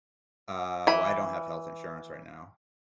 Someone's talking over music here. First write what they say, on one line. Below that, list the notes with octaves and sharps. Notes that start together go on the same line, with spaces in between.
Uh, well, I don't have health insurance right now.
E3 B5